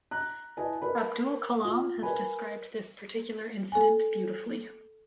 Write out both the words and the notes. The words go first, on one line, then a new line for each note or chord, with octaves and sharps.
Abdul Kalam has described this particular incident beautifully.
A#5 F#6
E4 B4 D#5 G#5 A5
A#4 B4 B5
F4
A#4 B4 G#5 B5
A4 G#5